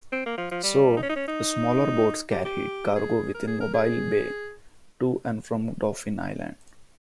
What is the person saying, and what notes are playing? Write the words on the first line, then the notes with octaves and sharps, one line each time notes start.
So, smaller boats carried cargo within Mobile Bay to and from Dauphin Island.
C4
A#3
F3
F3
G3
D#4
C#4
D#4
C#4
D#4
G4
G4
G#4
A#4
G#4
A#4
G#4